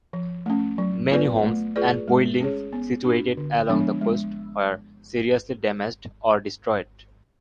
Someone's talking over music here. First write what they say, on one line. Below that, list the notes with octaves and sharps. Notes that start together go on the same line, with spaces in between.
Many homes and buildings situated along the coast were seriously damaged or destroyed.
F3
A3 C#4
F#3
B3 F4 B4 D5
A3
F4 G#4 B4 D5
G#3
C#4 G#4 C#5
B3
D4 F#4
D3
F3 G#3 B3 D4
G#3